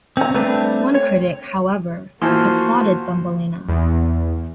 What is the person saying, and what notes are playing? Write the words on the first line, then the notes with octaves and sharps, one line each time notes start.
One critic, however, applauded "Thumbelina".
C4 C#4 A#5
G3 A3 C4 D4 B4
C#5
E3 F3 A#3 F#4 C5 A5 C6
E2